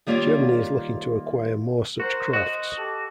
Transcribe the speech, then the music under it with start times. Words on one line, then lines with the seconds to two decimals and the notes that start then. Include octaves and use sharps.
Germany is looking to acquire more such crafts.
0.07 D#3 G3 A#3 F4 C#5 D5
2.00 F#4 A#4 C5
2.33 F#4 C5 D#5
2.78 G4 A4 A5